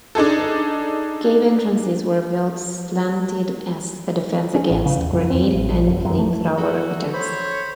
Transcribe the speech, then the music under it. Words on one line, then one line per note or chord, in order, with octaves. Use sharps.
Cave entrances were built slanted as a defense against grenade and flamethrower attacks.
D4 D#4 G#4 A4
C#4
A1
C#3
D#2
F2
C4
A1
A#1
F#1
F#2
A3
F#4 A4
C5 C#5 B5